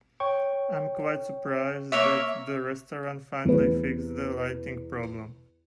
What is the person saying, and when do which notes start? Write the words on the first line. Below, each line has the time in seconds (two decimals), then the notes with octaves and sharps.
I am quite surprised that the restaurant finally fixed the lighting problem.
0.20 C#5 G5 C#6
1.92 A#3 C#5 E5
3.45 E2 B4